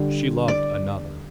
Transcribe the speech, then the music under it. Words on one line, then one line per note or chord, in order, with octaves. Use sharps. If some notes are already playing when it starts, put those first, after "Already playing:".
She loved another.
Already playing: D3 G3
D5